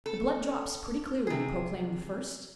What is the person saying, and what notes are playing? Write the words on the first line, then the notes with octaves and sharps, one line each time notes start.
The blood drops pretty clearly, proclaimed the first.
A4
C3 G#4